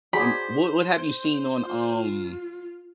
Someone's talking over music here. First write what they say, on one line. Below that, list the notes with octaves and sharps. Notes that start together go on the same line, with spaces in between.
um, what what have you seen on, um,
F#4 G#4 C5 D5 B5
F4